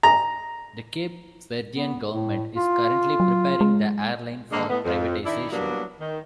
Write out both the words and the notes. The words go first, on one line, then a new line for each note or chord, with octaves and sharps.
The Cape Verdean government is currently preparing the airline for privatization.
A#5
B3
A2
F4
F#3
G#3
D3 D#3 G#3 A#3 D4
A2 B3
F2
D#3 D4 E4
F#3 G3 A#3 B3 D4
D#3